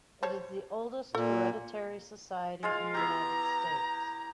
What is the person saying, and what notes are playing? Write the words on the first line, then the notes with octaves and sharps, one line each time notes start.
It is the oldest hereditary society in the United States.
C5 C#5 A5
A#2 A4
G#3 F4 F5
B3 E4 G4 A#5